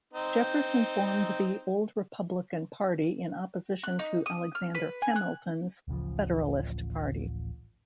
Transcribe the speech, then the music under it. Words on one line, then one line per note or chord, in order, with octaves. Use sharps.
Jefferson formed the Old Republican party in opposition to Alexander Hamilton's Federalist party.
C4 D#4
F#6
D#4
D#6
F6
B4
G#5
F#6
D1 A1 C#3 F3